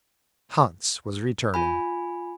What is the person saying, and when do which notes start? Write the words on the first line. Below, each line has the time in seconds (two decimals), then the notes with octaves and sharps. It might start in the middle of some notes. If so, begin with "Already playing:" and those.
Hans was returning.
1.54 F4 G#5 B5